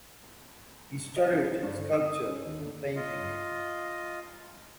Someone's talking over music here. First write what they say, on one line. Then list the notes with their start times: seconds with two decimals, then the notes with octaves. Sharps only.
He studied sculpture and painting.
1.16 D#5
1.32 C#4
1.44 G#4
1.63 G2
1.77 D3
1.93 E6
2.06 D#6
2.26 C#4
2.45 D#2
2.59 D3
2.96 F4 D#5